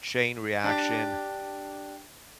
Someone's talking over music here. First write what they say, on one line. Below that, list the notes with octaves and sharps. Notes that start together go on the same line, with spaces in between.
chain reaction.
D4 G4